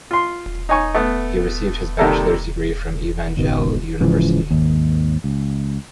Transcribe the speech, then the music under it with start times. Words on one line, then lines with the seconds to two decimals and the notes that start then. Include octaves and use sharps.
He received his bachelor’s degree from Evangel University.
0.11 F4 C6
0.69 D#4 C#5 G#5 C#6
0.95 A3 B3
1.99 C3 D#3 G3 A#3 A4
3.37 G#1 C#2 B2 D#3
4.00 G#2 C#3 E3 F3
4.51 G#1 D#2
5.24 C#2